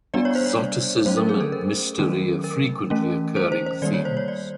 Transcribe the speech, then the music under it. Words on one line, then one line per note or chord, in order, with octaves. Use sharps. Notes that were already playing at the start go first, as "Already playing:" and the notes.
Exoticism and mystery are frequently occurring themes.
G3 B3 D4 D5
C#5
C5
C#5
F#3 A3 C#4 C5
A#4
G#4
A4
A#4
D#3 F#3 A3 C#4
A#4
E3 A3 C#4
C5
C5
C5
D#3 G3 A#3 D5
C#5
C5
C#5
D5